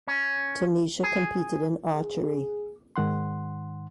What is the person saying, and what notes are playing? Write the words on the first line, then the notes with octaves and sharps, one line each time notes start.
Tunisia competed in archery.
C#4
G#4
G#4
G#2 D#3 F#5 C6